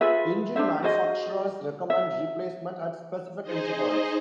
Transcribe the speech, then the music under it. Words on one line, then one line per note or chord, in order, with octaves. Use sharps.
Engine manufacturers recommend replacement at specific intervals.
F4 G#4 B4 E5
D4 F4 C5 E5
F#4 G#4 C5 D#5
E5
D#4 G#4 C5 D#5